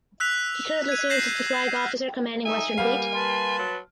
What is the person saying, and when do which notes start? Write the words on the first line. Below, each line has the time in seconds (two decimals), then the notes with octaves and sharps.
He currently serves as the Flag Officer Commanding Western Fleet.
0.20 E6 F#6 B6 F7
0.89 G#6 D#7
1.10 F#6 G6 A#6 C7 E7 F#7
1.76 F6
2.46 D#4 E5 G#5
2.78 G3 A#3 B3 F5
3.14 B4 A5 C6
3.59 F#3